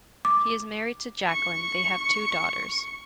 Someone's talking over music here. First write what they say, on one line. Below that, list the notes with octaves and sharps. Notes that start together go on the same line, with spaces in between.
He is married to Jacquelyn; they have two daughters.
D6
C#6 C#7